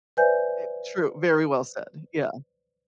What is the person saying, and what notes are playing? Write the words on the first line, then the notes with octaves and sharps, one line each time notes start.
I true, very well said. Yeah.
B4 C5 D5 E5 G#5 G6